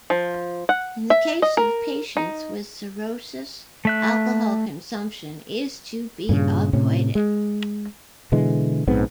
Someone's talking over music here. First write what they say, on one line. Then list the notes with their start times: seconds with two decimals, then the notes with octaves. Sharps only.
In the case of patients with cirrhosis, alcohol consumption is to be avoided.
0.10 F3
0.69 F#5
1.10 E5
1.42 D#5
1.57 A#4
2.17 D#4
3.85 A3 E5 F#6
6.29 G2 A#2 C#3
6.73 A2 C3 C#4
7.15 G#3
8.32 B2 D3 E3 G#3
8.87 A#1 G#2 B3 C4